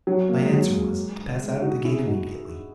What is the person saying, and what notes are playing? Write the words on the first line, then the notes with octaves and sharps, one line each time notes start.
My answer was, to pass out at the gate immediately.
F#3
A#3
G#3
F#3
G#3
G#3
D#4 F#4
E4 G#4
D#4 F#4